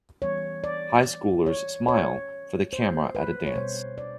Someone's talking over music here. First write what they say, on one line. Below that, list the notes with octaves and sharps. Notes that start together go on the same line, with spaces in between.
Highschoolers smile for the camera at a dance.
E3 G3 B3 C#5
D5
C#5
C#5
C5
B4
C#5
B2 G3 B3 C5
D5